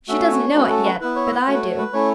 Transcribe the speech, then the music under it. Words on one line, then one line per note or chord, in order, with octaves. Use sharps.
She doesn't know it yet; but I do.
A3 C#4 F#4 E5
C#5
A3 C#4 F#4 B4
A4
B4
B3 E4 B4
C#5
E5
F#5
A3 F#4 C#5
B4
C#5
B4
A3 C#4 E4 C#5